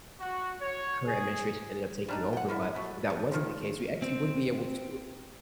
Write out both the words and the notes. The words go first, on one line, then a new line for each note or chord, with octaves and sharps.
current administration ended up taking over, but if that wasn't the case, we actually would be able to,
F#4
C#5
G#4
G3 D4 D#4
F#5 G5
D3 A#3 E4
F#3 A3
D4
D#3 F3
C4